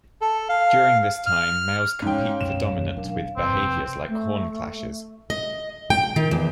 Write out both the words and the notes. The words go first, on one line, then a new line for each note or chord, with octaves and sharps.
During this time, males compete for dominance with behaviors like horn clashes.
A4
F5
F6
G#2 C#4 C#5 F5 G5
B1 F#2 A3 E7
E1 F#3 D4 A#4 F5
F1 F2 C4 B4
A3
D#5
G5
D#3
E2